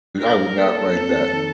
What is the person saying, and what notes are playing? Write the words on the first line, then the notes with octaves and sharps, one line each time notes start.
I I would not write that.
D4 A#4
A#3 A4
F2
D#3